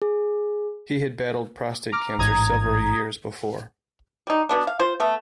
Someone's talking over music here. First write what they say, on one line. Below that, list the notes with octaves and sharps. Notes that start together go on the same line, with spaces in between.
He had battled prostate cancer several years before.
G#4
A#5 D6 F6
A1 G#2 A#5 D#6 G#6
G3 D#4
B2 B3 D4
F5
F4 C5
A3 B3